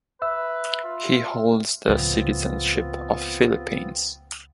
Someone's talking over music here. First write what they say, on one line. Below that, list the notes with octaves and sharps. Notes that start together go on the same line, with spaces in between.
He holds the citizenship of Philippines.
B4 E5 E6
F4
C#2 A2 F3 B3 C4 F4